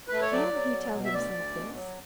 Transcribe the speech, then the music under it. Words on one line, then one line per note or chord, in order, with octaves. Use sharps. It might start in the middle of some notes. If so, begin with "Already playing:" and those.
Can he tell himself this?
A3 B4
C#5
F#3 D5
F#3
B2
B2
E5
D2 D5
D2
B2
F#3